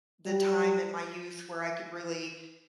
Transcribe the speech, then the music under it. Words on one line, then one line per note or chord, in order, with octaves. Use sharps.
the time in my youth where I could really,
G3